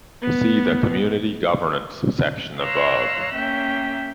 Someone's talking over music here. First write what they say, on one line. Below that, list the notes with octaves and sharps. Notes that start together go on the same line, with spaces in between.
See the "Community governance" section, above.
B3
C#5 F5 A#5 C6 E6 F#6
A#3 C#4 E5 G5